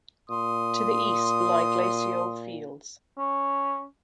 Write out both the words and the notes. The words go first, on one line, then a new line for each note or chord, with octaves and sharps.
To the east lie glacial fields.
A#2 C6 D#6
C#4